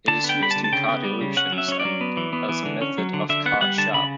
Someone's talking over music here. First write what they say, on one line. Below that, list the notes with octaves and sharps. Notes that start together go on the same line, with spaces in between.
It is used in card illusions, and as a method of card sharp.
D3 A5
B3
G5
G3 B5
A5
D3
A5
C#3 G5
B3
G3
C#3
C#4 F#5
F#3
E5
C#4 C#5
D5
F#3
B3
E3
B3
E3
D3
C#4
F#3
D3
D3 E5
B3 F#5
G3 F#5
D3 A5
C#3 B5